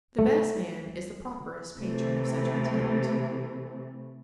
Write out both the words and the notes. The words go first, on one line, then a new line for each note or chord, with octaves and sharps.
The best man is the properest patron of such an attempt.
A3
C3 E3 A3